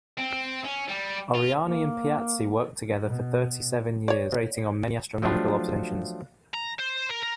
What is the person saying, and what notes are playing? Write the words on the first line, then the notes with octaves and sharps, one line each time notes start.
Oriani and Piazzi worked together for thirty-seven years, cooperating on many astronomical observations.
C4
C#4
G3
F4
A#3
B2
C#5 D5
F3 F#3 A3 D4 F4 G4
A#5
C5
A#4
A#4